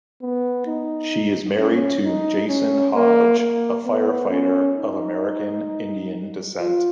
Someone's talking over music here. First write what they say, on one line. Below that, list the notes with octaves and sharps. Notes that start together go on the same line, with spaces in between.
She is married to Jason Hodge, a firefighter of American Indian descent.
B3
D#4
C#4
D#4
C#4
A#3
A#3
B3
C#4
D#4
F4